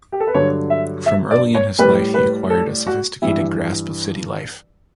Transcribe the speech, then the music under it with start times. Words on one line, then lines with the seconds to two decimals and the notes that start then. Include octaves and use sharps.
From early in his life he acquired a sophisticated grasp of city life.
0.12 G4
0.20 A4
0.27 B4
0.34 G2 D3 F#3 C#5
0.70 E5
1.06 E5
1.31 D5
1.55 C#5
1.78 A2 G3 B4
2.14 B4
2.50 A4
2.87 F#4
3.22 G2 E3 G3 E4